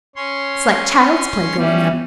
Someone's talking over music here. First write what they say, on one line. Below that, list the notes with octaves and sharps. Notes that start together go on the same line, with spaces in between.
It's like child's play going up.
C#4 C#5 C6
G3 B3 C#4 E5